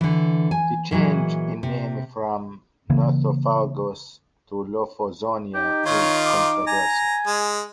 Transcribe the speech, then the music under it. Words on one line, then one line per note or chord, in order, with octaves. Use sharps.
The change in name from "Nothofagus" to "Lophozonia" is controversial.
D3 E3
G#5
A#2 E3 F#3 G#3
C3
C#3 E3 A#3
D#4 G4
D#3 F4 C#5
D6
G#5 A#5
G#3